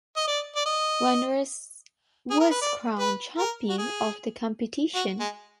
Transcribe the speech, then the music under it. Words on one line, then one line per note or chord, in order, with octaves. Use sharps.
Wanderers was crowned champion of the competition.
D#5
D5
D5
D#5
G#4
A#4
B4
D5
B4
A#4
F#4
G#4
F#4
G#3